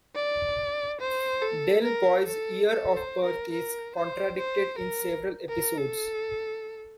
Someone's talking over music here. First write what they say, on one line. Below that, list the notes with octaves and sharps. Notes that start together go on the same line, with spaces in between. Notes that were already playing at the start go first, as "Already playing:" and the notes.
Del Boy's year of birth is contradicted in several episodes.
D5
C5
A4
A#4
A4
A4
C5
A#4
A#4
C5
C5
A#4
A#4
A4